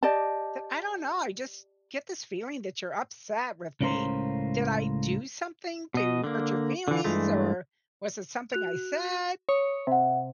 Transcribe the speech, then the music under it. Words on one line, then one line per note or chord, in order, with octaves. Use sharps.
Said, "I don't know, I just get this feeling that you're upset with me. Did I do something to hurt your feelings? Or, was it something I said?"
G4 D5 D#5 A5
C#2 A2 C#4 F4 A#4 C5
B2 D#5
D3 A#3
D3 E3
G2 E3 G#3 A3
F#4 F#6 F7
C#5 D#6
C3 E5 F#5